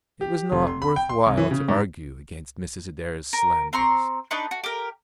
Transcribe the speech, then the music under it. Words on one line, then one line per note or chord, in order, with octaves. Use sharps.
It was not worth while to argue against Mrs. Adair's slanders.
G4
F1
C6
B5
G5
C6
C2
E3
C#3
G#2
A#4
C4 A#5 C6 C#6
D4 D#4 B4 C#6
F#4
G4 A#4